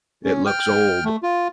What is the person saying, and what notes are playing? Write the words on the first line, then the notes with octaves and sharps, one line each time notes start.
It looks old.
C#4
G5 F6
A3
F4